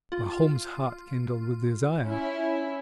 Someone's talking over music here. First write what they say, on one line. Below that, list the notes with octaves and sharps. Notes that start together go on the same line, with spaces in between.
Pahom's heart kindled with desire.
F4
C#4 E4